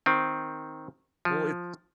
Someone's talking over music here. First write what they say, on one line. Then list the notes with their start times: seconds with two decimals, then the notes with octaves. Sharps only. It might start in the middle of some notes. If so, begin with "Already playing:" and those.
Well, it's
0.06 D#3 C4
1.25 F3